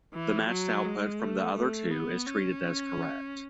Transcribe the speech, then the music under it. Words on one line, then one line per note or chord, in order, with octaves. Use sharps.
The matched output from the other two is treated as correct.
E3
F#3
G#3
A3
A3
B3
C#4